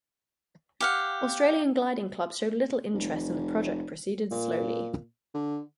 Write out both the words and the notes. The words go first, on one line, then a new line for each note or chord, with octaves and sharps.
Australian gliding clubs showed little interest and the project proceeded slowly.
G4 F5 F#5
F1
A#2
D3